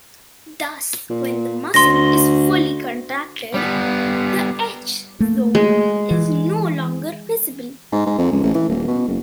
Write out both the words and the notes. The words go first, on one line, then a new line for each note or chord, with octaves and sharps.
Thus when the muscle is fully contracted, the H zone is no longer visible.
A#2
D2 C6 A#6
G3 B3
A3 A#3
G#3
E3
G#2
G#2
F2
C#2
A1
E3
D#1
B2
F#1